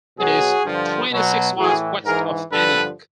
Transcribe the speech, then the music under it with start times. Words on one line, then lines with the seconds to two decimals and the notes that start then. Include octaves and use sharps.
It is twenty-six miles west of Aniak.
0.17 B2 F#3 F#4 G#4
0.64 G2 D3 F3
1.11 B2 F#3
1.57 A2 E3 F#4 G#4
2.04 G#2 E3 G#4 A#4
2.51 G2 D3 F3 A4 B4